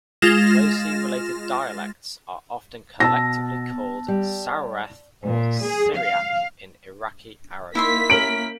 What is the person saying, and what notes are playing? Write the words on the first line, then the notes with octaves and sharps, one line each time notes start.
The closely related dialects are often collectively called "Soureth", or "Syriac "in Iraqi Arabic.
G#3 F4 F6 A6 A#6 E7
B2 A5 E6 A#6
G3
A#2
G#4
F5
A#3 D#4 E4 E5 C6 B6
C#4 A#4 D7 F#7